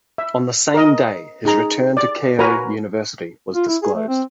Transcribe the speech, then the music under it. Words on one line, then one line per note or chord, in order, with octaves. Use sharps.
On the same day his return to Keio University was disclosed.
E5
A#4 D#5
D#4 G#4 A#5
D5
F#4 A#4 B4 G#5 A#5
F4
E4
G#4
A3
C4